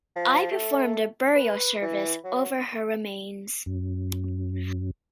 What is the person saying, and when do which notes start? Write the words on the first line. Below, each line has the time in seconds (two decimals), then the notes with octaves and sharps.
I performed the burial service over her remains.
0.16 F3
0.51 A3
1.35 B4
1.82 E3
2.24 F#3
3.66 F#2